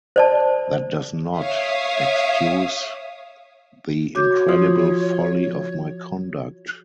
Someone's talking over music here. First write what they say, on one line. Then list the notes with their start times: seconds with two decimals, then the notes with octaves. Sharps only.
That does not excuse the incredible folly of my conduct.
0.16 C5 D5 A5
1.38 C#5 E5 F5 D#6
4.15 F#4 C#5 D6 G6
4.49 F3 D#6